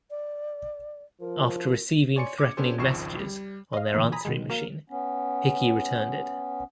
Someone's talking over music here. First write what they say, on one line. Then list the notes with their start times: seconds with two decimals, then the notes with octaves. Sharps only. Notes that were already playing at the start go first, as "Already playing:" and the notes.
After receiving threatening messages on their answering machine Hickey returned it.
0.11 D5
1.21 F3 A#4
2.16 C#5 D5 G#5 C6 C#7
2.38 D6 G#6
2.57 B3 C#4 D4 G4 A4 C5
2.78 G#1 C#2 F3 C#6 C7 E7
3.19 G3
3.73 D#5 F5
3.94 A#2 D3 E3 A3 A#3
4.12 G#5 A#5 B5 D#6 B6
4.25 B2 D#3 G#3
4.50 F#3 A#3 A#4
4.90 B3 C#4